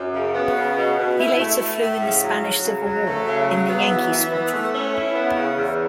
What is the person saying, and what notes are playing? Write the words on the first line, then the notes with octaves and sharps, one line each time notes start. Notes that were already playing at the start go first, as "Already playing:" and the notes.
He later flew in the Spanish Civil War in the Yankee Squadron.
Already playing: F#2
C#3
B3
C#3
B2
B2
E4
A3
A3
A2
C#3
F#3
F#3
C#3
F#3
A3
C#3
F#3
B3
E3
E3
B3
A3
C#4
E4
B3
C#3
E2